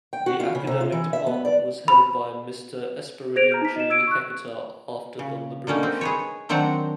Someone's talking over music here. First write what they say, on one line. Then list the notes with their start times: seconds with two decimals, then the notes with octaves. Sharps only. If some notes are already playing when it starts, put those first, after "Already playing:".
The academic department was headed by Mr. Esperidion G. Heceta after the liberation.
0.13 G5
0.26 F#4
0.40 F4
0.55 C#3
0.67 C3
0.81 F4
0.92 E3
1.13 E5
1.27 B3
1.45 D5
1.88 B5
3.36 G#4 C5 G#6 A#6 D7 F7
3.50 A#5 F6 G6
3.61 D#4 B6
3.76 D#5 E7
3.90 E6 G#6 D7
4.07 C#6 F#6
5.19 C#3
5.67 D3 A#3 C#4 D#4
5.83 C4
6.01 G#4 B4 C#5
6.49 D#3 F#3 C4 D4 F#5 A#5